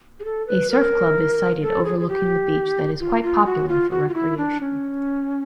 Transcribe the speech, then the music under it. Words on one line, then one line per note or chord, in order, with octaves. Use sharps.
A surf club is sited overlooking the beach that is quite popular for recreation.
G#4
A4
B4
A#4
A4
G#4
G#4
G4
F4
F4
F#4
F4
F#4
F4
E4
D4
C#4